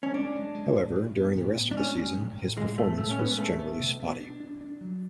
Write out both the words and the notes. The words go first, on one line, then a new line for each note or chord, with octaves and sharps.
However, during the rest of the season, his performance was generally spotty.
C#4
G#3 D4
G#3
G#3
A2
A2
B3
A2
B3
D4
G#3 C#4
G#3
A2
A2
A2 G#3
G#3 A3
A2 A3
C#4
G#3 B3
A3 B3
B3
B2
B3
D4
D4
D4
F#3